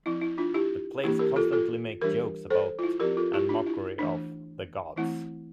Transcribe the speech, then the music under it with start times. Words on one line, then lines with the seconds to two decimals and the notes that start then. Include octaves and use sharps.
The plays constantly make jokes about and mockery of the gods.
0.06 F3 C4 E4
0.21 E4
0.38 D4 F4
0.54 E4 G4
1.04 E3 A#3 D4 E4 G4
1.19 G4 A#4
1.36 F4 A4
1.53 F4 A4
2.01 E3 G3 D4 G4 A#4
2.50 A4 C5
2.79 F4
2.83 E4
3.00 F3 C4 G4 A#4
3.17 F4 A4
3.33 E4 G4
3.49 D4 F4
3.66 E4
3.99 E3 A3 D4
4.96 E3 A3 C4 E4